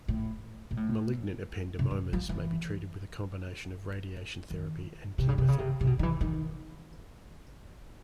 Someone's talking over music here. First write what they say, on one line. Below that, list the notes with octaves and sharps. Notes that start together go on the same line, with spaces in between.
Malignant ependymomas may be treated with a combination of radiation therapy and chemotherapy.
A2
A#2
A2
C3
E3
F3
E3
D#3
C3
C#3
C3
C#3
C3
C3
B2
D#3
E3
D#3